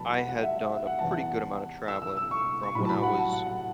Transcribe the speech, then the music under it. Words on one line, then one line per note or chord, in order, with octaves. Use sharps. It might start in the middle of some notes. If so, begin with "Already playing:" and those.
I had done a pretty good amount of traveling from when I was
Already playing: E2 B2 F#3 A5 B5
F#5
F#5
E5
E5
E5
F#5
E2 E3 A5
F#5
E6
E6
E6
C#6
C#6
A2 F#3 B5
A5
B5
F#5
A5
F#5
F#5